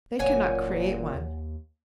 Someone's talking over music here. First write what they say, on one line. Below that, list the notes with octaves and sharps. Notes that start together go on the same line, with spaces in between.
They cannot create one.
F#1 F#2 A#2 C#5 F#5 G#5
D#2